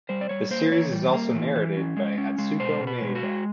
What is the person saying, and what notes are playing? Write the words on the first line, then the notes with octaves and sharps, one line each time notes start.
The series is also narrated by Atsuko Maeda.
G3 C5
D5
G3 C#5
A#3 C5
E3 C#5
G3
A#3
E3
E3
C#4
G#3
C#4
G#3
B2 C5
B2
B4
G#3
F#4
G#3